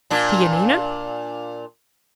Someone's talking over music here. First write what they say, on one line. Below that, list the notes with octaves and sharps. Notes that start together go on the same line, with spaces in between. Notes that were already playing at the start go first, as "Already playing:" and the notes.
"To Yanina?"
A#2 D4